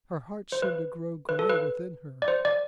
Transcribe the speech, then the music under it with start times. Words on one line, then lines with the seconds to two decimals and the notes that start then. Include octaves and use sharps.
Her heart seemed to grow gray within her.
0.52 C5
0.62 B4
1.29 B4
1.39 A4
1.49 B4
2.22 D5
2.28 C5
2.45 D5